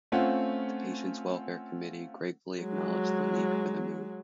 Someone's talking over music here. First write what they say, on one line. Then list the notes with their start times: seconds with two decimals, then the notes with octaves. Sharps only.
The Patients’ Welfare Committee gratefully acknowledged the league for the move.
0.12 A3 C4 C#4 F4 F#5
2.61 F#3 G#3